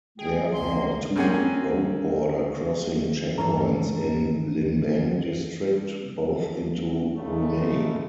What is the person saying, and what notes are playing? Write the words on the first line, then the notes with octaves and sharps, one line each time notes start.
There are two road border crossing checkpoints in Limbang district, both into Brunei.
G#3 G#4 G5
C#2 A#3 C4 C6
A#3 C4 C#4 G#4 F#5 G#5
G2 E3 C#4 A4 A#5
G#1 E2 C#3 F#3 G#3 A3